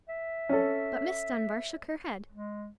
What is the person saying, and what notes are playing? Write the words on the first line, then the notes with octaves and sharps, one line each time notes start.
But Miss Dunbar shook her head.
E5
C#4 A4
G#3